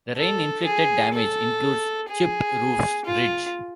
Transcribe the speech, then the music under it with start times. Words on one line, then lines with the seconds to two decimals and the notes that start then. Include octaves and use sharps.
The rain-inflicted damage includes chipped roof's ridge.
0.17 A4
0.65 G#4
1.13 A4
2.09 G#4
3.05 F4